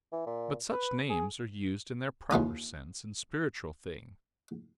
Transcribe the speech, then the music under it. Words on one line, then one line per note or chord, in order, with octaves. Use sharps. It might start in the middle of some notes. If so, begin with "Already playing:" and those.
But such names are used in their proper sense in spiritual things.
E3
A#2
B4
G#4
D#2 E3 F4 D#6